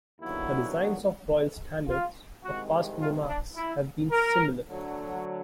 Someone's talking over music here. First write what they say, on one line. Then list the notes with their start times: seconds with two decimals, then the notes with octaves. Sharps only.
The designs of royal standards of past monarchs have been similar.
0.20 D#2 D3 F#3 B3 E4
1.88 F4
2.43 C2 C3 D#3 G#3 F#4
3.00 F4
3.28 D4
3.56 E4
4.11 A#4
4.68 D2 D3 F#3